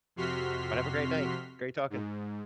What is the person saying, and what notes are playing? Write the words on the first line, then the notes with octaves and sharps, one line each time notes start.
But have a great night. Great talking.
F2 C3 F#4 C6 F6 B6
G#2